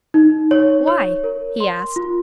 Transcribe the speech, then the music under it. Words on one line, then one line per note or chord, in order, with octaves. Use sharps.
"Why?" he asked.
D#4
C#5
C#5
A#4
C6
F4